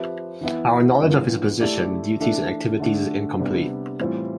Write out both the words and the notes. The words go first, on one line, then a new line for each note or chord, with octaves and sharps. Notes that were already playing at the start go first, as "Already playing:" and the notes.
Our knowledge of his position, duties, and activities is incomplete.
Already playing: F3 C4 G4 B4 E5
E3 B3 E4
G2 E3 B3 F4
A3 E4 G4 D5
E3 A3 D4 A4 E5
D3 A3 D4
C3 G3 B3 D4 G4
A2 E3 G3 C4 F4